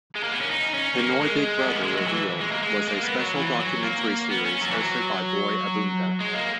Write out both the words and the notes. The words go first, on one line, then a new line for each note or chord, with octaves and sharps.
"Pinoy Big Brother Revealed" was a special documentary series hosted by Boy Abunda.
G#3
A#3
B3
C#4
D#4
C#4
A#3
G#3
C#4
B3
A#3
G#3
F#3
E3
G#3
A#3
G#3
A#3
B3
F#3
E3
F#3
A#3
B3
C#4
F#3
E3
F#3
G#3
A#3